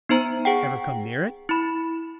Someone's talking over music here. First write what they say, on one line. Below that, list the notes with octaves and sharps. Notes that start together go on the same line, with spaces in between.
"Ever come near it?"
B3 D#4 C5 A#5
G#4 F#5 G5
E4 B5